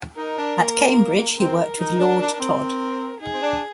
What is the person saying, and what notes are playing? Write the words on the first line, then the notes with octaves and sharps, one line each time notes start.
At Cambridge he worked with Lord Todd.
D#4 A#4
D4
A#3
C4 A#4
D#4
D4
D4
D4
C4
A#4
D#4 G#4
C4
D4